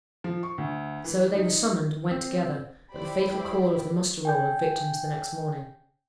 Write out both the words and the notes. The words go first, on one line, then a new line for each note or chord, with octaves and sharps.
So, they were summoned and went together, at the fatal call of the muster-roll of victims the next morning.
F3
C#6
D2
E3
D#4
C4
E4 G4 C5 D5 G5 B5
G5 G#5 G6